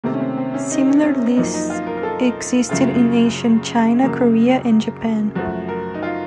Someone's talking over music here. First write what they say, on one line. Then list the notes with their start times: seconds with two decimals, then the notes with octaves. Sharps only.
Similar lists existed in ancient China, Korea and Japan.
0.04 C3 D#3 A3 A#3
0.14 C#4
0.20 C4
0.37 C4
0.54 C#4
0.71 D#4
1.04 C#4
1.36 F#2 F3 A#3 D#4
1.54 D#4
1.70 F4
1.87 A#4
1.97 A#4
2.03 A4
2.69 F#2 C#3 A3 F4
4.03 F#2 C#3 F#3 A#3
5.35 F#2 F3 A3 F#4
5.68 A#4
5.94 D#4
6.03 F4